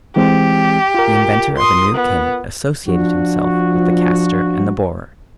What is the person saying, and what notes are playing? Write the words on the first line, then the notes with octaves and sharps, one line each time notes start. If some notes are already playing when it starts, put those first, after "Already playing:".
The inventor of a new cannon associated himself with the caster and the borer.
E3 G#3 C4 G4
F4 A#4
C6 D#6
B3
F3 D4 F#4